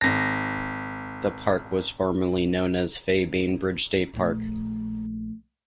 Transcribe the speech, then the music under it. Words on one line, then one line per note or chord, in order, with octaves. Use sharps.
The park was formerly known as Fay Bainbridge State Park.
G#1 A#6
A#1 A3